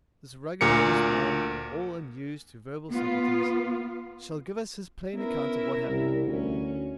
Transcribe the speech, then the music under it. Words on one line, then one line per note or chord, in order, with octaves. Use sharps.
'This rugged, honest man, all unused to verbal subtleties, shall give us his plain account of what happened.
D2 A#2 A#4 C#7
B3 F4
B3 C#4 E4 A#4
C2
D2 C#4